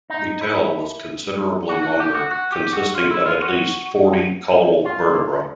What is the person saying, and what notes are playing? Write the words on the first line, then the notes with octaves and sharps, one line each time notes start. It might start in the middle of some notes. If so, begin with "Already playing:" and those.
The tail was considerably longer, consisting of at least forty caudal vertebrae.
D#4
E4
F#4
F#4
G4
F#4
F#4
G4
F#4
F4
E4
F4
F#4
F4